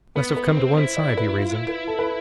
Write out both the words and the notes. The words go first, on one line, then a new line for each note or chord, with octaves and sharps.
"Must have come to one side," he reasoned.
B3 B4
B4
C4
C5
E4 C5
D5
B4
F4
B4
A4
B4